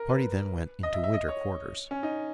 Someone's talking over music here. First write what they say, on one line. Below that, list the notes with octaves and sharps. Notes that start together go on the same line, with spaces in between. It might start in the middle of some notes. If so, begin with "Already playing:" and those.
The party then went into Winter Quarters.
Already playing: A#4
B4
D#5
E5
E5
D#5
C#5
C#4
D#4